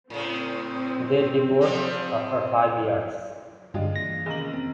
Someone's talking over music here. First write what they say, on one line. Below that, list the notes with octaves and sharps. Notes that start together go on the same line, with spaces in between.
They divorced after five years.
A2 C#3 C4
F3 G3 G#3
G2 D3 G#3 D4 F4 D#5 G5
E3 A#3 A#6
F1 D#3 A#3 C#4 G#4 F#7
F2 C4